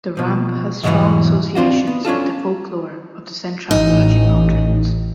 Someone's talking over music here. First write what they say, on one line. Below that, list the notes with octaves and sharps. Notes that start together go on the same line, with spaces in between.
The ramp has strong associations with the folklore of the central Appalachian Mountains.
B2 F3
E2 G#2 B2 D#3 E3 F#3
C4 D4 F4 F#4
B3
C#4 D4 F4 A4
A1 D#4